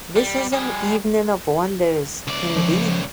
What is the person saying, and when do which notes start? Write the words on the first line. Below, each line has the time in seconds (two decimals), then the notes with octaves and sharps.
This is an evening of wonders, indeed!
0.16 G3
0.52 G3 G#4
2.27 C#2 D5
2.56 F3